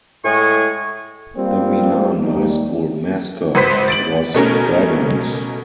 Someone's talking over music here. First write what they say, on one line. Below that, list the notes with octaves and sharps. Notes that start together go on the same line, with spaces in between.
The Milan High School mascot was Dragons.
A2 G#3 G#5 C#6
G3 A#3 C4 F4
D#2 G3 D4 D#4
G#1 B4 C5 B6
A6 D7 F#7
B2 A3 C#4 A#4